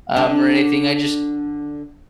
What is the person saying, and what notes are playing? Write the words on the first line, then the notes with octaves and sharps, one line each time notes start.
um, or anything, I just
D3 D4